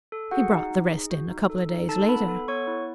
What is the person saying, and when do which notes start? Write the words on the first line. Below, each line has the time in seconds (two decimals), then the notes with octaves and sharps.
He brought the rest in a couple of days later.
0.12 A4
0.31 F#4 G#4 F#5
0.51 D#4
0.71 D#4
0.90 G#4
1.10 F#4
1.30 D#4
1.50 A4
1.69 D#4
1.89 D#4 A4 A5
2.09 B3 B4 B5
2.28 A4
2.48 B3 C#5 C#6
2.67 E4